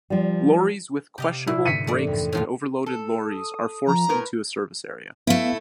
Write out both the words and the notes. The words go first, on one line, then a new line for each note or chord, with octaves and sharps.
Lorries with questionable brakes and overloaded lorries are forced into a service area.
F3 G3
C3 G4 D#5 F5
A#2 E4
G#2 D3 E3 B6 C#7 D#7
A3 A#4 D5
F2 A2
D#1 A2 F3 F4 F5
A4
D#6
F3 A#5
A2 A#4 B4
A3 B3 E4 F5